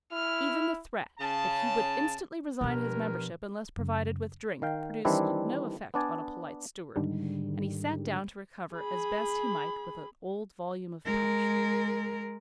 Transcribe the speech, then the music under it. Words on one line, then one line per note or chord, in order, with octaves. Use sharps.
Even the threat that he would instantly resign his membership unless provided with drink produced no effect on a polite steward, and he sat down to recover as best he might with an old volume of Punch.
E4 F6
C#3 A5
G2 B2 F3 A#4
F#2 C#3
D#3 F5 G5
D#3 E3 G3 C4 D4 E4
B3 D4 D5 G#5
G#2 D3 D#3 G3
G#4 B5
G#3 A#4